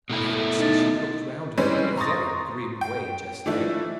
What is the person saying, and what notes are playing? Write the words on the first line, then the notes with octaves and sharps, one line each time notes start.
I fancy she looked round at me in a very grim way just then.
B2 A3 E4
A4
D#4 D#5 A6
E3 G3 G#3 C4 C#4 B4
A#5 C6 C#6 D#6 A6 A#6
G5
E3 F3 A3 D4 E4